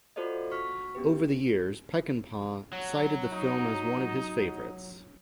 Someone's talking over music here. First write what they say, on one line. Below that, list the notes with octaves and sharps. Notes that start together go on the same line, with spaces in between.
Over the years, Peckinpah cited the film as one of his favorites.
F4 F#4 A4 C5 D5 D#5
F#4 C#6 F6 B6
B3 C#4 G4 B4
F#3
D#4